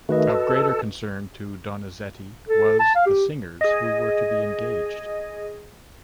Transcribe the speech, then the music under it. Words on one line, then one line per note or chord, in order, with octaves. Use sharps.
Of greater concern to Donizetti was the singers who were to be engaged.
D#3 A3 F#4 B4 D#5
A4
A4
A5
F5
G4
G#4 D#5